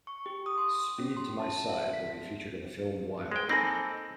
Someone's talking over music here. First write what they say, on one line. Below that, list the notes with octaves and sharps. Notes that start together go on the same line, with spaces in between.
"Speed To My Side" will be featured in the film Wild.
C#6
G4
D#6
C6
C#4
C6
A5
E5
B6
G#3 G5
A#3 C4 D#4 A4 G#5 B5 A#6